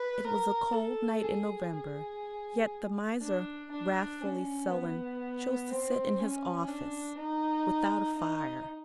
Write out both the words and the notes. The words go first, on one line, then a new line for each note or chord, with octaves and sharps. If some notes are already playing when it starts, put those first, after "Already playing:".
It was a cold night in November, yet the miser, wrathfully sullen, chose to sit in his office without a fire.
Already playing: B4
A#4
A4
G#4
G#4
D4
D4
C#4
B3
C4
C#4
D4
D#4
D#4